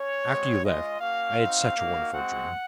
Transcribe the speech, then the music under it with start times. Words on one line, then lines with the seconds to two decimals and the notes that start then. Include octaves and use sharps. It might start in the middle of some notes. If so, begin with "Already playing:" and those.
After you left, I had such a wonderful dream.
Already playing: C#4 C#5
0.25 G#3 C4 F#4
0.63 G#3 C#4 F4 D#5
1.00 A#3 C#4 F#4 F5
1.38 C4 D#4 F#4
1.76 A#3 D#4 F#4
2.13 G#3 C4 F#4 F#5